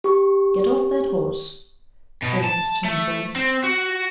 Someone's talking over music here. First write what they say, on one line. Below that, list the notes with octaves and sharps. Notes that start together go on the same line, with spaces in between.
"Get off that horse," added the stern voice.
G4 C#6
B2
A5
A3
C4
F#4